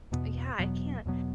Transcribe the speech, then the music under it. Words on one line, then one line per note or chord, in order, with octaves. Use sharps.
yeah, I can't
E2 B2 B3
E2 B2 F#3 B3
E2 B2 F#3 B3